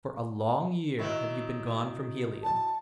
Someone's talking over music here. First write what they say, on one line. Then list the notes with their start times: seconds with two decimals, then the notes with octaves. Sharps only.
For a long year have you been gone from Helium.
0.99 D#3 F#3 E4
2.44 A5